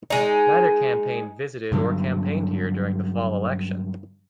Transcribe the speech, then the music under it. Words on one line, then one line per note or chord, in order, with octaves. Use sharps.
Neither campaign visited or campaigned here during the fall election.
G#3 D#4
G2 D3 F#3